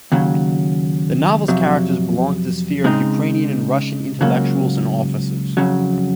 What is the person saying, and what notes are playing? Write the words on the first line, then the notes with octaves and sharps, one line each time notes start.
The novel's characters belong to the sphere of Ukrainian and Russian intellectuals and officers.
D#2 C#3 F#3
F2 C3 F#3
C#3 G#3 C4 D#4
C#2 C#3 F#3 A#3
F2 C#3 F#3